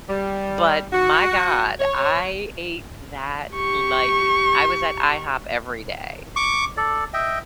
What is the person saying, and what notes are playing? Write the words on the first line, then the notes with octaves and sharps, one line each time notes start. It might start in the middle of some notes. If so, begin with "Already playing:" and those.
but my god, I ate that, like I was at IHOP every day,
G3
F#4
C#5
G4 C#6
C#6 D6
A4 D5
D#5 E5 G5